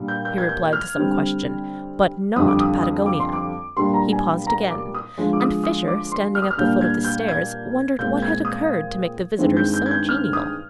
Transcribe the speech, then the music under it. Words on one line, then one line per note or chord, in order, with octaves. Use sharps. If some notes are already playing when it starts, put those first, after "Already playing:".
He replied to some question, "but not Patagonia," he paused again, and Fisher standing at the foot of the stairs wondered what had occurred to make the visitor so genial.
Already playing: A#2 G3 D4
G6
G6
G#6
G6
F6
D3 G3 C4
F2 D3 G3 D#6
D6
D#6
D#6
D6
C6
D6
A#2 G3 D4 C6
A#5
G#5
A#5
D6
D#6
D3 F3 G#3
D6
D#6
D#6
D6
C6
F6
D#6
F6
A#2 G3 A#3 D4 G6
G#6
G6
G#6
A#2 G#3 C4 G6
G#6
D#6
G2 D#3 G#3 C4
G6
G6
G#6
G6
F6
D#6